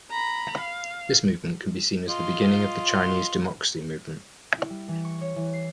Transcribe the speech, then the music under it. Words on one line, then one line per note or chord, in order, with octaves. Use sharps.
This movement can be seen as the beginning of the Chinese Democracy Movement.
A#5 B5
F5
F4 D#5 C6
E4
G3
E3
C#6
C#5
E3
C7